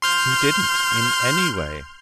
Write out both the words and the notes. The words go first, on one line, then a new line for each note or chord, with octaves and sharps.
"He didn't--in any way."
C6 F6 G6